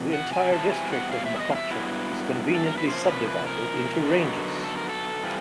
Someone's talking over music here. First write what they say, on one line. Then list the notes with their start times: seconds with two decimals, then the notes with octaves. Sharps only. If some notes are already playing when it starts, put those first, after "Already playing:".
The entire district of Mokokchung is conveniently sub-divided into ranges.
Already playing: F2 C3
0.13 F#5
0.33 G#5
0.52 E2 B2 G3 C4 E4 A5
0.72 G#5
0.92 F#5
1.12 F5
1.26 E5
1.36 E5
1.40 D#5
1.51 F5
1.55 E5
1.71 G2 D3 F#3 B3 E4
2.55 A4
2.66 A#4
2.77 B4
2.87 C3 F3 A#3 C#4 C5
3.08 B4
3.28 B4
3.47 A#4
4.05 D3 F#3 B3 D#4
4.64 A4
4.77 A#4
4.89 A4
5.24 E3 G3 C4 F4